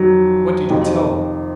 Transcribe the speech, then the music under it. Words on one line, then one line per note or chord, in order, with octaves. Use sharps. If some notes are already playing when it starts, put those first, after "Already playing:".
"What did you tell him?"
Already playing: F2 D#3 F#3
F2 C3 D#3